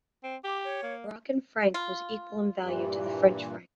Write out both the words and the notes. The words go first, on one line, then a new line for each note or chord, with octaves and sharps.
The Moroccan franc was equal in value to the French franc.
C4
G4 D6
C#5
A#3
F4
G2 A#2 E3 G3 G4